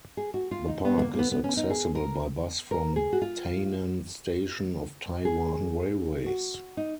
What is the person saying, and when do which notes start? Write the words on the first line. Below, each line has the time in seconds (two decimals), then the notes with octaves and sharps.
The park is accessible by bus from Tainan Station of Taiwan Railways.
0.17 G#4
0.34 F#4
0.51 F4
0.68 D#4
0.85 B3
0.98 G#3
1.02 A#3
1.14 A#3
1.19 B3
1.32 B3
1.44 C#4
1.57 D#4
1.70 G#4
1.95 A#4
2.71 A#4
2.96 G#4
3.13 F#4
3.22 F4
5.25 G#4
6.26 F#4
6.77 D#4